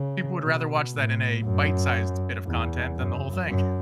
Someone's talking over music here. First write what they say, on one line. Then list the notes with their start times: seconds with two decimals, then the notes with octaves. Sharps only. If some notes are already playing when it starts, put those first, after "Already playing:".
People would rather watch that in a bite-sized bit of content than the whole thing.
Already playing: C#3
0.42 B2
0.92 A2
1.43 F#2
2.45 E2
2.96 F#2
3.47 F#2